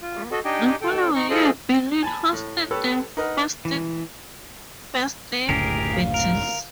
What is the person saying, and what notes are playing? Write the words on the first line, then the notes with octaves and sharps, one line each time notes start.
The following year, Berlin hosted the festivities.
F4
F#4 A4 D#5
D4 D#4 G4 D#5 G5 G#5
A4 G5
D#4 C#6
F4 G#4 A4 C5 D#5
G#5 A5 B5
A2
G4 A4 B4 C#5 B5 E6
D#4 A#4 B4 D#5 F#5
E3
F#1 D2 A2 G4 G#4 A#4
F5
A#4